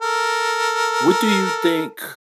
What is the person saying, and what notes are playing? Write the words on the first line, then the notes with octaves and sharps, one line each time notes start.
what do you think,
A4 A#4